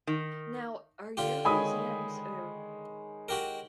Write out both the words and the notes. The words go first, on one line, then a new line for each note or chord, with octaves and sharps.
Now, are your museums or
D#3
D3 F4 G4
D#3 G#3 C#5 G#5 B5 D#6
F#4 G4 A#4